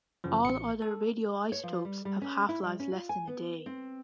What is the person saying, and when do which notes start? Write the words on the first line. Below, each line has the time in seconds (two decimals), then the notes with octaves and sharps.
All other radioisotopes have half-lives less than a day.
0.24 F#2 C#3 E3 F3
0.45 A1 C#7
0.82 A4
1.52 C#5
1.63 F3
1.85 G3
2.05 G3
2.22 C#4
2.49 E4
2.63 G3
2.80 C#4
2.92 F4
3.09 G#5
3.27 B3
3.66 C4